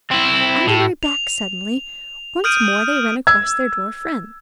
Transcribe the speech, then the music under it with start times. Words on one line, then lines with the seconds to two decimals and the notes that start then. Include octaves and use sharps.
On their way back, suddenly, once more they ran across their dwarf friend.
0.11 C4 E4
0.67 A2
1.03 F7
2.44 D#6 F6 G6 D7 D#7
3.27 E6 G#6